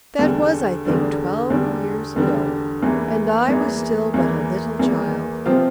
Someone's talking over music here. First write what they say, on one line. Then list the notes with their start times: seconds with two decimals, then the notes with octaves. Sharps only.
That was, I think, twelve years ago, and I was still but a little child.
0.19 E2 D3 G3 D4
0.85 E2 D3 G3 D4
1.50 E2 D3 G3 D4
2.16 E2 D3 G3 D4
2.83 E2 E3 A#3
3.48 E2 E3 A#3
4.14 E2 E3 A#3
4.79 E2 E3 A#3
5.46 C3 F3 C4 F4